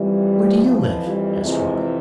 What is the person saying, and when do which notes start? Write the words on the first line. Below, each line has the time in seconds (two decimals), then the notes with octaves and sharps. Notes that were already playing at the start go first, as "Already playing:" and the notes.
"Where do you live?" asked Robin.
Already playing: F2 E3 G3
0.66 F2 E3 F3
1.05 G3
1.42 F2 C3 E3 G#3